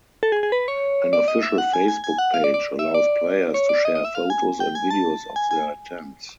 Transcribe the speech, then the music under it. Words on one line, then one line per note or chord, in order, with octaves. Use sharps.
An official Facebook page allows players to share photos and videos of their attempts.
A4
G#4
G#4
B4
C#5
D5
D#5
E5
F#5
G#5
G#5
G#5
F#5
F5
D5
D5
E5
D5
C#5
D5
D#5
D#5
E5
F5
G#5
G5
G#5
A5
G#5
G#5